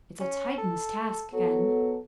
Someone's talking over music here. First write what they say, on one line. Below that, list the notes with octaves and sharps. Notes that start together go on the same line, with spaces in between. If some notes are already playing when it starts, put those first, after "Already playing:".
"It's a Titan's task, Ken."
C#4
A4
F#3 B3 A4